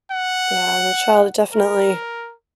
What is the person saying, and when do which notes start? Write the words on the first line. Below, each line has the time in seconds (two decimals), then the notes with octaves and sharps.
Yeah, and a child, definitely
0.11 F#5
1.53 A#4